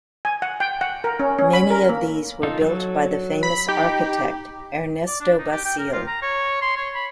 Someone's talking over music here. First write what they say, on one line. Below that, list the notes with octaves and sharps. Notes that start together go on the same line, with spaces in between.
Many of these were built by the famous architect Ernesto Basile.
G#5
F#5
G5
F#5
A#4
C#4
C#4
B5
A#4
A#3
D#4 F4 A4
F#3 A4
B5
D#4 G4
D5
D4
D#4
G4
G5
A#4
F4
A#5
C#5
C6
C#5
B5